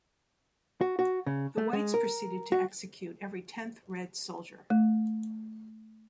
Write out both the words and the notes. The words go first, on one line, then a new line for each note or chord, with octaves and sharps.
The whites proceeded to execute every tenth Red soldier.
F#4
F#4
C#3
A3
G#3
A#4
F#4
A3